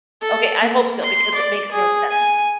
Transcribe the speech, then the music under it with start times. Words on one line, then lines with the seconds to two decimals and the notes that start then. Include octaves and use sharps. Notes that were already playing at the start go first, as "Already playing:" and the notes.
Okay. I hope so because it makes no sense.
0.21 A4
0.60 A#3
1.02 C6
1.34 D5
1.71 G#4
2.10 G#5